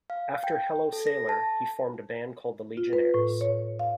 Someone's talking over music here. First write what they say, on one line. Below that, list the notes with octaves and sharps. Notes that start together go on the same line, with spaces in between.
After Hello Sailor, he formed a band called the Legionnaires.
F5
G5
A4
A#6
A5
F4
B4
A2
C#5
F5